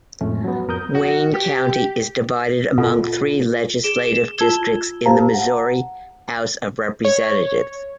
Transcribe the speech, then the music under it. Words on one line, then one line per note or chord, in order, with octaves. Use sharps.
Wayne County is divided among three legislative districts in the Missouri House of Representatives.
F2 A2 G#3 A3 C#4
F#3 B3
F2 A#4 D#6 G6
F#4
G4
B2 F4 A4
G#4 D7 E7 G7
F4 A5 E6 G#6 G7
G4 C5 F5 A5 A#5
F#5
C#5